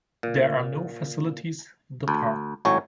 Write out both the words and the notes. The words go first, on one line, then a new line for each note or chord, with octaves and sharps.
There are no facilities in the park.
A#2
D2
G#1 A2 F#3 C#5 G#5